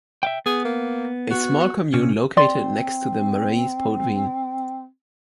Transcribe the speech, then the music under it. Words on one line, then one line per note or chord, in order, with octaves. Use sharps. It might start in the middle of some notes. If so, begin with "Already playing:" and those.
A small commune located next to the Marais Poitevin.
E5 F5 G5
B3 G#4
A#3
F#4
C3 C#4
C4 D5 C6